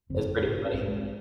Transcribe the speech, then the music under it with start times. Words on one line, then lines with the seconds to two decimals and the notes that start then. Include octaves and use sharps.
It's pretty funny.
0.09 G1 F2 C#3 C4
0.41 A#1 G#2
0.65 C#4
0.73 A#1 G#2 C4
0.88 G#3